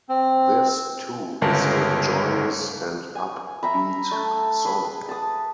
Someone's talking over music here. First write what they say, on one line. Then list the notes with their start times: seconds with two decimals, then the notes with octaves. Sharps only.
This too is a joyous and upbeat song.
0.09 C4
1.42 G1 C#2 A#4 A5
3.15 G#5
3.63 E5 A#5 B5
4.11 A3
4.65 G#4 B4
5.09 A5 D#6